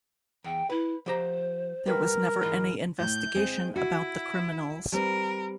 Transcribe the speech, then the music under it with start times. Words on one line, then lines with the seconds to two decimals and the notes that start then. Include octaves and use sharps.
There was never any investigation about the criminals.
0.44 E2 G5
0.70 E4 B4
1.06 F3 G4 C5 A#5
1.87 G3 F#4 A#4 B4
2.41 G#2 E3 G#3 F4
3.00 A2 G6
3.35 G#3 C4
3.76 E4 F#4
4.92 G3 C4 A#4 B4